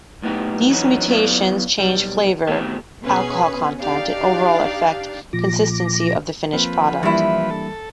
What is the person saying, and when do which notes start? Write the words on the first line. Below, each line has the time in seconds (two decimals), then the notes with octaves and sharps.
These mutations change flavor, alcohol content, and overall effect consistency of the finished product.
0.22 B1 A2 B3 D#4 G4
0.70 E3 F#3 C#4 D#4 F#4 B4
1.07 F#3 B3 E4 B4 D5 F5
1.78 B1 G3
2.47 B2 D#3 A3 C4 G4 A4
3.03 B2 C#4 G#4 B4
3.80 D4 D#4 G4 D5 F5
5.33 A#2 F3 D6 A#6
6.53 F3 A#3 C4 B4
7.03 G2 E3 G3 A#3 E4
7.50 A4